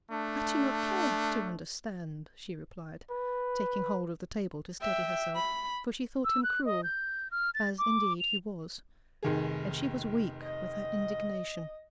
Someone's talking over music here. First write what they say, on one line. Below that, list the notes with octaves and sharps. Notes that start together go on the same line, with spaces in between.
'I do not care to understand,' she replied, taking hold of the table to steady herself; for she thought him cruel--as, indeed, he was--and she was weak with her indignation.
A3 D4
B4
E5 G5
B5
E6
F#6
D#5
G6
F6
A6
D6
F7
F1 D#3 G#4
D#5